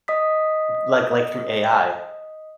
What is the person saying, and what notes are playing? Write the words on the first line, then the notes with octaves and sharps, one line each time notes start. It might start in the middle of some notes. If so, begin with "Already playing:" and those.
Like like, through AI.
D#5 D#6 B6